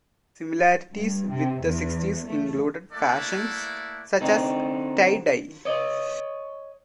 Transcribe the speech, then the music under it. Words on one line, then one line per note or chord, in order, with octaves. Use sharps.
Similarities with the Sixties included fashions such as Tie-dye.
G2
C3
E2
A3
A3 A#3 E4 A4 D5 F#5
D3 C4 D#4
C#5 D#5